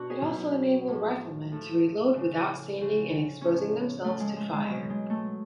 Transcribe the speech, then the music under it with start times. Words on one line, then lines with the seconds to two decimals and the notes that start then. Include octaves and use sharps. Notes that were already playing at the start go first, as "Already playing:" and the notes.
It also enabled riflemen to reload without standing and exposing themselves to fire.
Already playing: B2 D4 F#4
0.10 G#4
0.25 B2 F#3
0.88 A2 F3
1.52 A2 F3 A4
2.16 C#3 F3
2.78 C#3 F3
3.41 A2 F3 C#4
4.04 A2 F3 A3
4.20 G#3
4.37 G#3
4.53 G#3
4.68 B2 F#3
4.90 G#3
5.10 A3